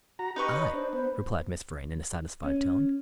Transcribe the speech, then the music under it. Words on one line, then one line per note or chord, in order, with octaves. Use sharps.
"I!" replied Miss Vrain in a satisfied tone.
F#4 A#5
D#4 G4 B4 D#5 C#6
C#5
D4 C5
B3 C5
C#4